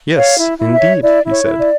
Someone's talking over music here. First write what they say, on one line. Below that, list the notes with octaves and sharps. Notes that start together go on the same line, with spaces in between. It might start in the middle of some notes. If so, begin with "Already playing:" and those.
Yes, indeed, he said.
C#5 F5
E4
E4
E5
C#5
E4 D5
E4
C#5
E4
D5